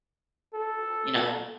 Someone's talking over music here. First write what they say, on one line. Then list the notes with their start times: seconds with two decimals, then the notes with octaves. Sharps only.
you know,
0.54 A4